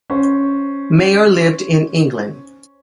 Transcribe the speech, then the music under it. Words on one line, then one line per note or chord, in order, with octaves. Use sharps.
Mayer lived in England.
C#4 C5